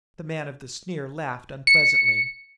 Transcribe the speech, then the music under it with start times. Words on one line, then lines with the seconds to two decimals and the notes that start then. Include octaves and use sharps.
The man of the sneer laughed unpleasantly.
1.67 C#7